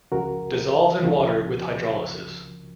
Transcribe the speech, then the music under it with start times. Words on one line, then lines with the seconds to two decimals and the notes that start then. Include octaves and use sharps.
Dissolves in water with hydrolysis.
0.12 C#2 C#3 F3 F#4 A#4
1.03 C#2 C#3 F3